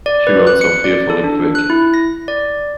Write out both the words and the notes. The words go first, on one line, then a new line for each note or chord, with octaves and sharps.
She runs so fearfully quick.
D5
B4
F#6
C#7
D5
A4
D4
F#6
E4
A#6
D5